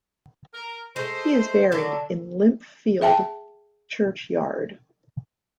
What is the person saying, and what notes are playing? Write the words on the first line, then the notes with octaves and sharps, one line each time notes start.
He is buried in Limpsfield churchyard.
A#4
G#3 A3 C5
D3 F#3 D4
G#4 E5 G5 A5